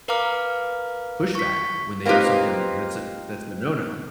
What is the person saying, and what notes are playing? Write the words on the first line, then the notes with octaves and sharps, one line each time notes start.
pushback when they do something that's a that's a no, no.
A#4 B4 F5 A#5 D6 F6
C#6 B6
A#3 C4 D#4 F4 G4 B4